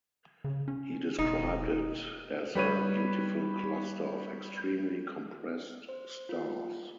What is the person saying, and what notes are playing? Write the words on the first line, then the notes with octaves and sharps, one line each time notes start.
He described it as a "beautiful cluster of extremely compressed stars".
C#3
C#4
E1 D#4
G3 B4 C#5 D#7
C5
F4